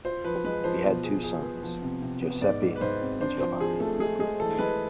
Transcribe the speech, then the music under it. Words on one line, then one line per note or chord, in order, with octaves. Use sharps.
He had two sons, Giuseppe and Giovanni.
F4 C5
F3 B4
G#3 B4
F3 C5
B2
G#4
G#4
B3
F3
C3
C3
B3
G#2 D5
G#2
B4
G#2 C5
C4
D4 C5
F3 C5
F3 G#4
A3 A4
G#3 G#4
G#3 G#4
E3 A4
G#3 B4